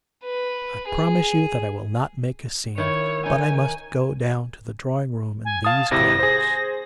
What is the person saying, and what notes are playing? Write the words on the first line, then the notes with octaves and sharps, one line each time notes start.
I promise you that I will not make a scene, but I must go down to the drawing-room in these clothes.
B4
G#4
D#3 E4 C#5
D#4 C#5 G#5
G#5
F5 A5 D#6
G#1 C3 E4 A#6
G#4 C5